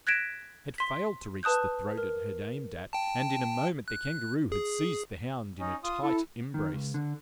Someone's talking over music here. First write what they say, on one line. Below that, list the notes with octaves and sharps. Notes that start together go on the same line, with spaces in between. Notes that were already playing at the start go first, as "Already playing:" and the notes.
It failed to reach the throat it had aimed at, and in a moment the Kangaroo had seized the hound in a tight embrace.
F#6 G#6 A#6 B6 D7 E7
C6 B6
B4 A5 D#6 F#6 G6
A#4
G5 A5
F#6
G#4
C#4 D#4
F4 D#6
E4 A4
D#3
C#2
D3